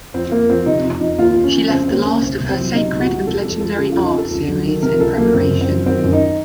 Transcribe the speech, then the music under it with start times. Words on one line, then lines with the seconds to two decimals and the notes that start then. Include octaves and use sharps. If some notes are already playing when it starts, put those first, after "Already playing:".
She left the last of her "Sacred and Legendary Art" series in preparation.
0.14 F2 C4
0.31 F2 A#3
0.49 F3 C4
0.66 C3 D#4
0.84 F2
1.01 F2 D#4
1.18 D#2 F4
1.36 D#2
1.44 C#4
1.53 F3
1.70 C#3 C4
1.88 D#2 C4
2.04 D#2 C#4
2.22 C2 C4
2.40 C2
2.49 C4
2.57 F#3
2.74 C3 D#4
2.92 C2
3.00 F#4
3.09 C2
3.27 F2 A4
3.44 F2 A4
3.60 F3 A4
3.78 C#3 A4
3.92 F2 F4
4.04 D#4
4.13 F2 A4
4.30 C#2
4.48 F#3
4.65 D#3
4.82 C3 A#4
4.99 C#2 A4
5.17 F#3 A#3
5.34 F#2 C4
5.51 F#2
5.61 C4
5.68 F#3
5.86 D#3 C4
6.04 F#2
6.13 D#4